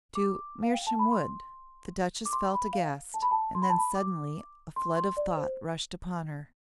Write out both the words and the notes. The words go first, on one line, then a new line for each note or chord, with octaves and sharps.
"To--Mersham Wood," the Duchess felt aghast--and then suddenly a flood of thought rushed upon her.
D6
F5
G5
A5
B5
C6
D6
C6
B5
F5
A5
B5
A5
C6
B5
A5
B5
D6
C6
C6
D5
C5